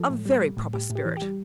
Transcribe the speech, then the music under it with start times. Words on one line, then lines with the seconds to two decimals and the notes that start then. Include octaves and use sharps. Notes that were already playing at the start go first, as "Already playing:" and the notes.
A very proper spirit!'
Already playing: F3 A4
0.10 A2
0.25 G3
0.41 G3
0.57 A2
0.74 A2 G4
0.90 A2
0.96 G4
1.05 E3
1.17 G4
1.22 G3